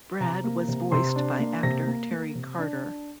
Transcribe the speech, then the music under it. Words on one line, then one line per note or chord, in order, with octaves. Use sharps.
Brad was voiced by actor Terry Carter.
C3 A#5
A#3
C3
C3 C6
D4
A#3
C3 A#6
A#3
A#3
C3
D4
D4